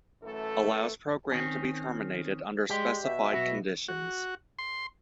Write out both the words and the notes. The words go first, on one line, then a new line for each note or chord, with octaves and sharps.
Allows program to be terminated under specified conditions.
F#2 E3 A3 A4
D#3 C4 C#4
G#3 G4 D5 G5
B2 E5
B1 B3 F#4
F#4
C6